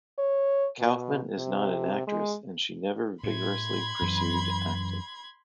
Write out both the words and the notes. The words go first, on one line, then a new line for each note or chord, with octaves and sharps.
Kaufman is not an actress and she never vigorously pursued acting.
C#5
B2
C3
G#3
A2 B5 C6 G#6
F#2 E3